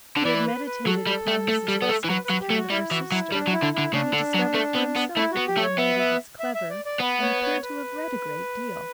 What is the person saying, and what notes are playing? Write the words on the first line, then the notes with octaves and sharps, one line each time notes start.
He had meditated upon Mrs. Westgate's account of her sister, and he discovered for himself that the young lady was clever, and appeared to have read a great deal.
D3
E3 D5
B4
B4
F#3 A4
G3
A3
A3
G3
B3
A3
E3
F#3 B4
F#3 B4
G4
A3
F#4
G3 E4
E3 F#4
F#3 E4
G3 D4
F#3
E4
D3
D3 E4
C#3 D4
D3
F#3
A3
B3
B3
A3 E4
F#4
B3
G4
A3
C#5
B3 E5
E5
E5
E5
D5
D5
B3 B4
C#5
C#5
B4